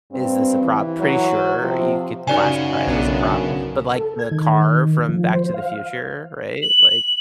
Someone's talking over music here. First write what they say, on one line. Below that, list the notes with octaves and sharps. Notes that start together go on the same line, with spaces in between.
is this a prop? Pretty sure you could classify it as a prop, but, like, the car from Back to the Future, right? Like
G2 C4
E3
F#3
C3 F3
F#2 C#3 D#4 D5 G#5
B1 B3 D4
A4
G#6
D#3
F3
C5
F5
F#7